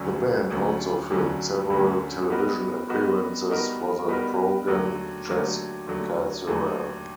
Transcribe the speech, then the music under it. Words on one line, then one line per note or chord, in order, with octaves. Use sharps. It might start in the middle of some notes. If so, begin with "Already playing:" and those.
The band also filmed several television appearances for the program "Jazz Casual".
Already playing: D2 D3 F#3 A3 C#4
D2 D3 F#3 A3 C#4
D2 D3 F#3 A3 C#4
D2 D3 F#3 A3 C#4
G3 B3 D#4 F#4 A#4
G3 B3 D#4 F#4 A#4
G3 B3 D#4 F#4 A#4
G3 B3 D#4 F#4 A#4
D#2 D3 F#3 A3
D#2 D3 F#3 A3
D#2 D3 F#3 A3
D#2 D3 F#3 A3